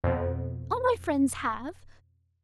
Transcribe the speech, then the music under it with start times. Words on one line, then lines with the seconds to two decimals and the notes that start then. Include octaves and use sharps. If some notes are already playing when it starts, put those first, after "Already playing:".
All my friends have.
0.04 F2 B2